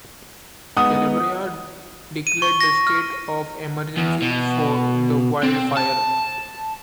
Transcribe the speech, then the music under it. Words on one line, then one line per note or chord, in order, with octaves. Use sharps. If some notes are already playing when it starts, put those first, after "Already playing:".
Calabria declared the state of emergency for the wildfire.
G#3 B3 D#4 F#5 D#6
D#7
C#6
A#6
F6
E2
B2
C4
A5